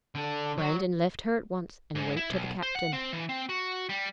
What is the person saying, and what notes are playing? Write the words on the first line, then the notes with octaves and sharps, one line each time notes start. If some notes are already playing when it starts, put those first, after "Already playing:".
Brandon left her at once and went to the captain.
D3
F#3
G#2
E4
B1
C5
F#5
C4
E3
C4
F#4
G3